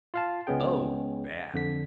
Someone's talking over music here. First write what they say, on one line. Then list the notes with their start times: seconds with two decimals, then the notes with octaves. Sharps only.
"Oh! Bad!"
0.14 F4 F5 A5
0.47 C#2 G#3 B3 C#4 G#4 G5
1.54 F2 D3 B6